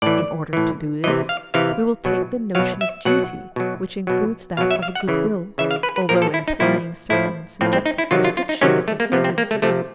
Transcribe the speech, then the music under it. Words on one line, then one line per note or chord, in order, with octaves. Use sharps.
In order to do this, we will take the notion of duty, which includes that of a good will, although implying certain subjective restrictions and hindrances.
A2 E3 D5
A2 E3
C3 E3 D#5
F5
C3 E3 F5
B2 F#3
B2 F#3 F5
E5
B2 F#3 F#5
B2 F#3
B2 F#3
B2 F#3 F5
E5
F5
F#5
C#3 E3
C#3 E3 E5
F5
B4
B4
A#2 F3 A#4
A4
E4
D#4
A#2 F3 E4
A2 F3 E4
A2 F3 C4
C4
D#4
E4
C3 D#3 F#3 F4
F4
F4
D#4
C3 D#3 F#3 C#4
A3
A#3
C3 F3 B3
C4
A#3
A3
C3 F3 A3